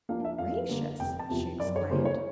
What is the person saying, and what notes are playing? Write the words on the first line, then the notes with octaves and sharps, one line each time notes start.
"Gracious!" she exclaimed.
F3 A#3 D4 F5
E5
F2 F5
D3 G3 A#3
F1 G5
A5
E2 C3 F3
F#2 D5
C#5
C#3 E3 G3 A#3 C5
C#5